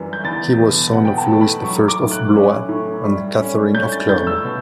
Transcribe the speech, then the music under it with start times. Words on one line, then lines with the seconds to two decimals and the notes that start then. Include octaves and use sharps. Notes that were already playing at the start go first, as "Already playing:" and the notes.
He was son of Louis the First of Blois and Catherine of Clermont.
Already playing: F#2 E3 G3
0.13 G6
0.24 E2 A6
0.60 B2
0.93 B2 F#5
1.05 G5
1.18 A5
1.30 A3
1.41 B5
1.64 F#3 C#6
1.88 D6
1.99 A2
2.11 F#6
2.35 C#4
2.69 A2
3.04 G3
3.39 C#4
3.74 C#4 G6
3.92 A6
4.09 A2 G6
4.27 E6
4.44 B2